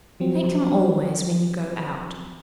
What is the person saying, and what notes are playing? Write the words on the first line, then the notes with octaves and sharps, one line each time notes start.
Thank him always when you go out.
F3 F#3 C4